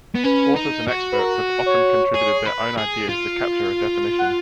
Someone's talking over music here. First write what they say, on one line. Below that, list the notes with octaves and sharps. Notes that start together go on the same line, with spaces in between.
Authors and experts have often contributed their own ideas to capture a definition.
B3
C#4 B4
D#4
F#4
B4
A#4
C#5
G#4
B4
G#4
F4
F#5